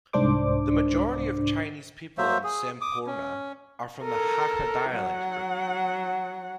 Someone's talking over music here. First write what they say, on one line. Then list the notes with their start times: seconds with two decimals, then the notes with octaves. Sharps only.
The majority of Chinese people in Semporna are from the Hakka dialect group.
0.13 C2 G#2 D4 C5 D6
2.18 F#3 A#3 C5 E5
2.43 G#4
2.81 D6 D#6
3.07 C#4
4.03 A4 A#4
4.91 F#3 F#5